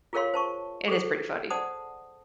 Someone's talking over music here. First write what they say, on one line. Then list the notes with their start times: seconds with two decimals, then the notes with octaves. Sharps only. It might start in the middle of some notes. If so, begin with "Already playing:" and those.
It is pretty funny.
0.13 F4 G#4 A#4 C#5 F5 C6
0.34 C5 A5 C#6
0.88 G#4 A4 C5
1.50 C5 D5 F#5 A5 D#6